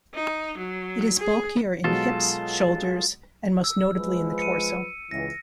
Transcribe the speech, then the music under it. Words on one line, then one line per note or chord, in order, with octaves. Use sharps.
It is bulkier in hips, shoulders, and most notably in the torso.
D#4
F#3
G#4
B2 F#3 G#3 F4 A4
E6
F3 G#3 B4
C#7 D#7
C#2 E3 A#6